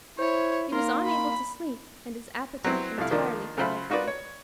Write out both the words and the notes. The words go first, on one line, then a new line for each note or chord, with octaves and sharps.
He was unable to sleep and his appetite entirely failed him.
E4 C5 C#5 G#6
A#3 D#4 A#4 C6
B5
F#3 B3 C4 E4
C2 F3 A3 E4 F5
D#3 F3 A#3 D4
C#3 F#3 F4 C5 B5
D#4 F4 F#4 A#4 B4 D5
C#5